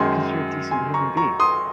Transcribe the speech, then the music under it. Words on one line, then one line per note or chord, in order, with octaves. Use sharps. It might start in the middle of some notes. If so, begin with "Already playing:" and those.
Because you're a decent human being.
Already playing: F#2 D#3 G#3 G#5 C6
G#5 C6
A#5 C#6
A#5 C#6
C6 D#6